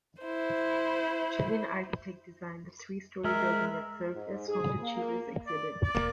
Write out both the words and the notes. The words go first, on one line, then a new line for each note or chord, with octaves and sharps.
Chilean architect designed the three-story building that served as home to Chile's exhibits.
E4 C5
G#3 A#4 E5
G#2
G#4
A#3
D5
D5
E1 A#3